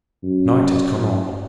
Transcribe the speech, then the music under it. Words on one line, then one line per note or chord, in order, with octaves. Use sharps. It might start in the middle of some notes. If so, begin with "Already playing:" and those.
Night had come on.
F#2